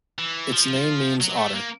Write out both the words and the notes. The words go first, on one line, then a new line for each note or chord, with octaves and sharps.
Its name means "otter".
E3
F3
F#3
A3
A#3